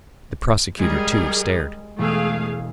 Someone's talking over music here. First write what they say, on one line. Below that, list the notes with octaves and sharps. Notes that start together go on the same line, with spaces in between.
The prosecutor, too, stared.
G3 G#3 G#4 A#4
E1 A3 G#4 F5 E6